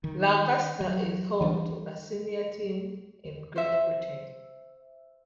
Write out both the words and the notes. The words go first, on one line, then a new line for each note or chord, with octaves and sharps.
Lancaster is home to a senior team in Great Britain.
D#3
F#3
E3 G3 D4
C5 E5